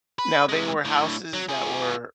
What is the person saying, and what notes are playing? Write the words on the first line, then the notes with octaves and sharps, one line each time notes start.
Now, they were houses that were
B4
C3 G#3
A2 D3
F#3
F4 G#4